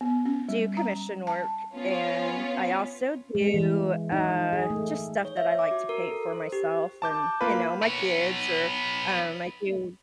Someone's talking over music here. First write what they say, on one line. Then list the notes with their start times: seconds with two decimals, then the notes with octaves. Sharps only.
do commission work, and I also do, uh, just stuff that I like to paint for myself and, you know, my kids, or, um, I do
0.01 B3
0.25 C#4
0.49 G3
0.77 A#5
1.27 A5
1.75 B3 C#4 F4
3.35 G#3
3.54 E3
4.12 D#4
4.53 G#4
4.70 A3
5.25 C#5
5.37 E5
5.59 D6
5.71 F#4
5.89 A#4
6.09 A4
6.33 C5
6.52 G4
7.02 A5 D6 G6
7.41 A#3 F4 B4
7.82 B3 C#5